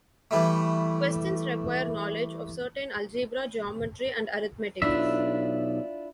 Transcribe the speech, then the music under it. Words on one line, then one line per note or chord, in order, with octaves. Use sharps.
Questions require knowledge of certain algebra, geometry, and arithmetic.
E3 G3 A3
B1 D4 E4 F4 E5